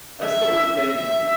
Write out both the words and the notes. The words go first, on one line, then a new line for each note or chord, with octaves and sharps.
that's the one thing
E5
E5